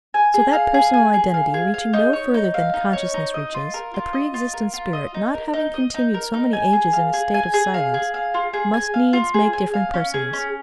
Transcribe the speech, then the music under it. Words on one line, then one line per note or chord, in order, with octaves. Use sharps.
So that personal identity, reaching no further than consciousness reaches, a pre-existent spirit not having continued so many ages in a state of silence, must needs make different persons.
G#5
G#4
F5
G#4
G#5
G#4
F5
G#4
F5
D#4
C#5
D#4
F5
D#4
C#5
D#4
D#5
F4
A#4
F4
D#5
F4
A#4
F4
D#5
D#4
A#4
D#4
D#5
D#4
A#4
D#4
G#5
G#4
F5
G#4
G#5
G#4
F5
G#4
F5
F4
G#4
G#5
F5
F4
G#4
G#5
F5
C#4
G#4
C#4